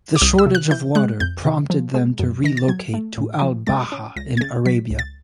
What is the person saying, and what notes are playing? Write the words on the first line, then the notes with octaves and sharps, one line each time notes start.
The shortage of water prompted them to relocate to Al Baha in Arabia.
D6
C2 D#6
E6
C3
F#6
E3 G6
G#3 F#6
F2 G6
C3
F3
G#3
F#2
D#3 A#6
A6
F#3 G#6
A3
A2
F3
G#3 A6
C#4
C#2 A#6
G#6
C#3 A6
F#3 B6
C#2
A6